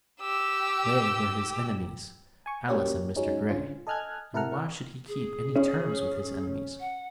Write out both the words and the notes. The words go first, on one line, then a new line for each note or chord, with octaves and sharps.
They were his enemies,--Alice and Mr. Grey,--and why should he keep any terms with his enemies?
G4 E6
G#5 C#6
F#3 G3 A#3 C#4 G4 C#5
F#3 G#3 C#4 D#4
D3 C#4 F4
A4 D#5 G#5 F6 F#6 G#6
C3 E4 A4 A#4 F#5 F6
G#4
C#4
F#5